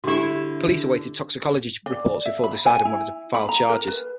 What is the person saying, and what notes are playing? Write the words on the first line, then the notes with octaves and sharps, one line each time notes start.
Police awaited toxicology reports before deciding whether to file charges.
D3 E4 F#4 G4
D5
E5
B5
G#5
E4
B5
A#5
A#4
B4